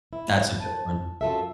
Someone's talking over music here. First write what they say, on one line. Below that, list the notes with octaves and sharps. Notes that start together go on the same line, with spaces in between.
That's a good one.
E4
A5
F#2 F4 A4 E5